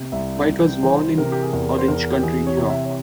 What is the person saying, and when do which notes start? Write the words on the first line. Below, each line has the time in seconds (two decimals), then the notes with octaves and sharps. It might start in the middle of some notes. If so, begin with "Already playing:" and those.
White was born in Orange County, New York.
Already playing: C3
0.12 C2 E5
0.47 C2
0.82 E3 C5
1.18 C3 A#4
1.32 G4
1.43 G#4
1.53 E2 A#4
1.78 C5
1.88 E2 A#4
2.12 G4
2.23 E3 G#4
2.47 C#5
2.58 C3
2.70 E5
2.85 C#5